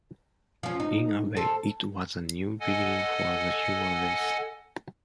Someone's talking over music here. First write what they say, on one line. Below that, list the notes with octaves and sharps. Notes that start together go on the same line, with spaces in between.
In a way, it was a new beginning for the human race.
F3 C#4
D#4
A4 C5
A4 D#5 F#5 G#5